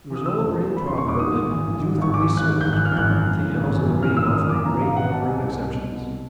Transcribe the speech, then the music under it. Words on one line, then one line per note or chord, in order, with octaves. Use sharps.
There was an old ring proverb that "Youth will be served," but the annals of the ring offer a great number of exceptions.
E3
D#6
C#3 E6
E1
E2
E3 B5
C#3 C6
C#6
E1 D6
G#2 D#6
G#1
E3
G#1
G#2
G#1 C#6
E3 D6
G#1
F#6
G#2
G#1 G6
E3 F#6
F6
G#1 F#6
F#2
E3
C#3
G#1
F#2
E3
C#3 F6
G#1 E6
D#6
F#2
E3 D6
C#3 A#5
G#1 F5
B2 F#5
B2 A5
C2 G#5
C2
B2
B2
C2